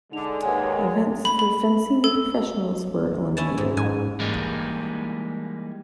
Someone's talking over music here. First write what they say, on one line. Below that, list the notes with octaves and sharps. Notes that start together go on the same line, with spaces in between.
Events for fencing professionals were eliminated.
D3 G#3 D#4 F7
D#2 B4 C#5 F#5 G#5
B5
B5
A4
C#4 E4 A5
G#2
G#2 G#5
E3 G3 G#3 A#3 D#4